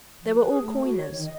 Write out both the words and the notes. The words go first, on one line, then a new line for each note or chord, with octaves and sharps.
They were all coiners.
F3
B4
G#4
A3
F#4
C#5
D#3
D#5